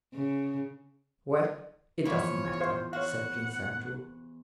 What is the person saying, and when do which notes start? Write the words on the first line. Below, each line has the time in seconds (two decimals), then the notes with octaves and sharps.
"Well, it doesn't matter," said Prince Andrew.
0.15 C#3
2.05 E2 F3 C#5
2.61 C5 F5
2.93 F#4 C#5 F5 F#5